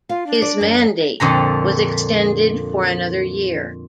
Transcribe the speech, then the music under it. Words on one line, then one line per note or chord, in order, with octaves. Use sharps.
His mandate was extended for another year.
F4 F5
D4
D5
F#2
F2 A#2 D3 A#5